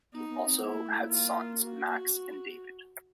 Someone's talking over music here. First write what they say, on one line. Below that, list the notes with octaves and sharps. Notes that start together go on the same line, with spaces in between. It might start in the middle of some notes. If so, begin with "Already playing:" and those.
He also had sons Max and David.
B3 D#4
B3
C4
B3 E4
A#3
A3
A#3
F4
F#4